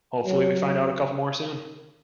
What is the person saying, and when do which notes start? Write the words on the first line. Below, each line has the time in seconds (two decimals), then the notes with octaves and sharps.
hopefully, we find out a couple more soon.
0.25 F#3